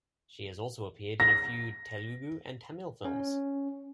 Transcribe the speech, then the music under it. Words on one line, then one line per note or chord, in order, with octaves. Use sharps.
She has also appeared in a few Telugu and Tamil films.
A#6
C#4